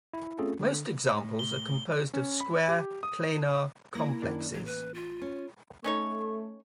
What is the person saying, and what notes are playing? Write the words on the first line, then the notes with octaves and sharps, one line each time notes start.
Most examples are composed of square planar complexes.
E4
A3 C4 C#4 F4 G#4 A4
D3
A2
G7
C#4
B5
G4
D#6
A#3 E4 A#6
F#2 D#3 D4
A1 F#3
B4
F4
C#4
A3 C#4 D#4 C#5 C#6